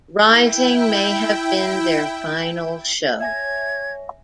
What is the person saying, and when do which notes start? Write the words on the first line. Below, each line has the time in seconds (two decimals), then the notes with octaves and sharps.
Rising may have been their final show.
0.22 E4 G5
3.20 C#5 E5 G#5 G#6 A#6